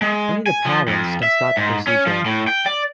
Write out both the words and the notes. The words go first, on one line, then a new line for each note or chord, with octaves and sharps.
Only the parents can start the procedure.
G#3
G#5
F3
F2
E5
G#2
C#4
F3
A2
G5
D5